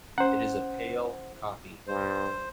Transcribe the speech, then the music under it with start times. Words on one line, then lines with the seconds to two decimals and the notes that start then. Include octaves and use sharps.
It is a pale copy.
0.18 C#4 C5 F#5
1.88 G2 C5